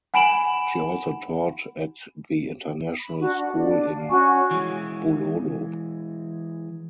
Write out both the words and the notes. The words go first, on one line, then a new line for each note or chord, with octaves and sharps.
She also taught at the international school in Bulolo.
F#5 G#5 B5 D7 E7 F#7
B5
D4 F#4
D4
D4
F5
C#4 F#4 G#5 C#6
E3 G#3